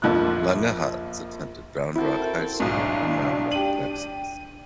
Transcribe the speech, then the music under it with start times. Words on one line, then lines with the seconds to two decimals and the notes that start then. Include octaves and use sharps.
Langerhans attended Round Rock High School in Round Rock, Texas.
0.02 A#1 F2 F3 F4 E6 F#6
1.96 C4 E4 F#4 A4 A#4
2.60 B1 G#2 D4
3.51 G4 D#7 F#7